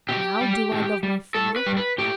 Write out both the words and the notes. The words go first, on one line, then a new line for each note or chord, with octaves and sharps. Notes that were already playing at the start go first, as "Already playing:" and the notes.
Now do I love my finger?
B2 G4
G3
A2
G3
A2 A4
B4
G3
B4
A2 G4